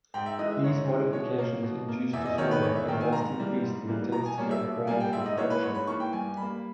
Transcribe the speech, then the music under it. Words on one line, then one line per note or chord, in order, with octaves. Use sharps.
These modifications induce disorder and thus decrease the intensity of Bragg diffraction.
G#2 G5
E5
E3 G#3 D#5
E5
G#2 C#5
E3 G#3
B2 C#5
A#3
B2
A#3
E2 E5
D#5
D#3 A#3 C#5
B4
E2 C#5
E5
D#3 A#3 G5
G#5
G#2 A#5
E3 G3 A#3
G#2
E3 G3 A#3
B2 A#5
G#5
G3 A#3 C#5
E5
B2
G3 A#3 G#5
G5
G#2 E5
D#5
E3 A#3 C#5
B4
G#2 C#5
B5
E3 A#3 C#6
G5
G2 G#5
G3 A#3 B5